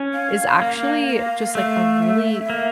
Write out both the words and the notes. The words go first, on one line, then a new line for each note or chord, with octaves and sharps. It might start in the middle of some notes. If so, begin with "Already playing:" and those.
is actually just, like, a really,
Already playing: C#4
F5
A#3
F5
A3 F5
E5
A#3